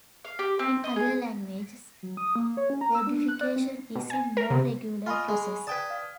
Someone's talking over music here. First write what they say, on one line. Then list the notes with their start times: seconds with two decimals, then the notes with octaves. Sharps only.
In other languages, verbification is a more regular process.
0.25 F5
0.39 G4
0.59 C4
0.84 D#5
0.96 G#4
2.03 F#3
2.17 D#6
2.36 A#3
2.57 C#5
2.70 C#4
2.81 A#5
2.95 E6
3.07 D4
3.28 F#6
3.41 D5
3.56 C4
3.95 B2
4.10 G#5
4.37 A#4
4.50 C3
5.06 F4 D#5 G#5 B5 C#6
5.29 G#3
5.67 B4 D5 G5 A5 D#6 G#6
5.90 F5